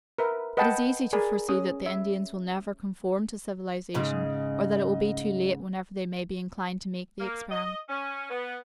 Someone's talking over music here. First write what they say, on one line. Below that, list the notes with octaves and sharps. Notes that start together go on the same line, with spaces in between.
It is easy to foresee that the Indians will never conform to civilization; or that it will be too late, whenever they may be inclined to make the experiment.
A#4 B4 E5
B4 D#5 F#5 G5 A5
G#4 A#4 D5 G#5 B5
C#4 D#6
E5
G#2 C#3 D#5
A#3
D#5
C#4
B3